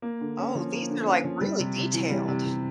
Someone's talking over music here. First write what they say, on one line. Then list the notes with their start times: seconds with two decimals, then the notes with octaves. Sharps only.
Oh, these are like really detailed.
0.02 A#3
0.21 D3
0.38 C#4
0.55 F3
0.72 A#3
0.90 D3
1.06 C#4
1.25 F3
1.41 G3
1.59 C3
1.76 C3
1.93 E3
2.10 G3
2.28 C3
2.45 C3